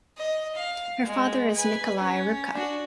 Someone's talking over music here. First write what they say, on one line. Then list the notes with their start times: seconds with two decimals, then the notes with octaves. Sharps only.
Her father is Nikolay Rybka.
0.17 D#5
0.55 F5
1.05 G#3
1.53 B4 G#5
1.97 C#4
2.54 D4 F#4